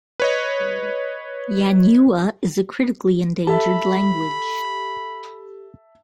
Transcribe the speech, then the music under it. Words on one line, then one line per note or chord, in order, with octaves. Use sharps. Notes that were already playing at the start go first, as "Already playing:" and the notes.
Yanyuwa is a critically endangered language.
B4 C#5 D#5
G4 A4 E5 A5 B5